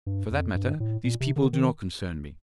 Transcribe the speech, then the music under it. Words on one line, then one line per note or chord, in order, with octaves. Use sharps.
For that matter, these people do not concern me.
G2
F2
G2
A2
A#2
C3
D3
D#3